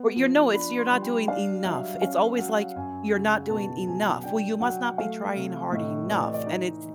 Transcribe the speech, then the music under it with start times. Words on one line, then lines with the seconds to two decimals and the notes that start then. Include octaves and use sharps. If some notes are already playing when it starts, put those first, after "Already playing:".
Or, your know it's "You're not doing enough." It's always like, "You're not doing enough. Well, you must not be trying hard enough", and it's
Already playing: B3
0.16 F3
0.54 D4 B5
0.78 C6
0.91 G3
1.02 G5
1.28 D4 F5
1.65 F#3 E5
2.02 C#4 F5
2.39 F#3 F#5
2.76 F#2 G#5
3.13 C#3
3.49 B2 A5
3.87 F#3 G#5
4.24 D4 G5
4.61 F#3 F#5
4.98 A3 F5
5.36 C3
5.72 A2 D#5
6.09 E3 D5
6.22 D#5
6.34 D5
6.46 D#4 D#5